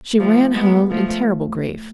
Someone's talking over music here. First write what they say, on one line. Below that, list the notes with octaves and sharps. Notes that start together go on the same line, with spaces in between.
She ran home in terrible grief.
F3 A3
G#3 B3
F3 A3